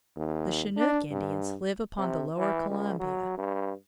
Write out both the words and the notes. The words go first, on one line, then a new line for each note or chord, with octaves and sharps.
The Chinook Indians live upon the lower Columbia.
D#2
D4
G2
C3
E3
C#2
F#3
G2